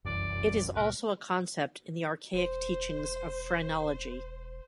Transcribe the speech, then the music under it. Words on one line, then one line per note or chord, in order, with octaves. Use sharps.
It is also a concept in the archaic teachings of phrenology.
F1 C2 F#2 E3 D5
C#2 A#2 A#4 B4
E1 C5